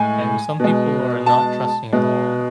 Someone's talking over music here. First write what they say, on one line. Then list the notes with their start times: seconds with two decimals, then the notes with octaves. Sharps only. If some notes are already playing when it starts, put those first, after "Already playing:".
and some people are not trusting at all,
Already playing: A2 G#3 G#5
0.60 B2 G#3
1.26 A5
1.93 B2 G#3